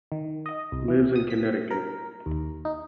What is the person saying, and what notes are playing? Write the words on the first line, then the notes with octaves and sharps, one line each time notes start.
Lives in Connecticut.
D#3
D#5
C2
E3
D#6
B6
A#4
D#2
D#4